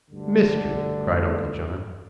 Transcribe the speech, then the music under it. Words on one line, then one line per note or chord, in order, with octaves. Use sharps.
"Mystery!" cried Uncle John.
D2 G2 D3